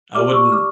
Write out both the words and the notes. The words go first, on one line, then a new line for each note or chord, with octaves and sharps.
I wouldn't
G4 D5 D6 F6
C#6 E6
D6 F6